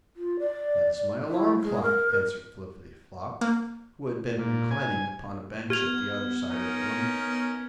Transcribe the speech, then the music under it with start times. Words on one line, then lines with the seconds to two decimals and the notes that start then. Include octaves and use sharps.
"That is my alarm clock," answered Flippityflop, who had been reclining upon a bench at the other side of the room.
0.16 F4
0.39 D5
1.28 E4
1.62 G#3
1.82 A#4
3.41 A#3
4.39 A#2
4.71 G#5
5.70 B3 G4 F6 G#6 F7
6.49 C#4 D#4 A#4